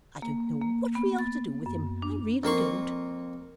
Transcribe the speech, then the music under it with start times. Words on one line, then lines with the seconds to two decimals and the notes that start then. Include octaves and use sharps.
I don't know what we are to do with him, I really don't.'
0.22 A#3
0.61 A#3
0.95 B3
1.19 A6
1.66 F#2
2.02 D4
2.44 F2 A#3 C6 C#6